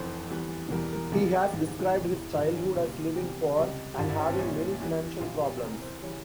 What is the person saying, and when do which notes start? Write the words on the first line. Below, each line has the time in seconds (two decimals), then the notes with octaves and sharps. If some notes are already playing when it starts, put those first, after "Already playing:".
He has described his childhood as living poor and having many financial problems.
Already playing: F1 F2 E3 C5
0.31 E2 E3 G3
0.71 E1 E2 E3 G3 A#4
0.93 A#4
1.12 C2 C3 G3 G#4
1.53 G#1 G#2 E3 G3
1.94 E1 E2 E3 G4
2.15 E4
2.34 G#1 G#2 G3 F4
2.55 C#4
2.76 C2 A#2 G3
3.16 E2 C3 G3 G4
3.57 C#2 C3 G3
3.94 G4
3.98 G#1 G2 G3 F4
4.08 E4
4.18 C#4
4.28 C4
4.39 A#1 A#2 G3 C#4
4.80 E2 E3 G3
5.21 A#1 A#2 G3 F4
5.42 G4
5.61 E2 C3 E3 A#4
5.82 C5
6.02 C#3 E3 G3 C#5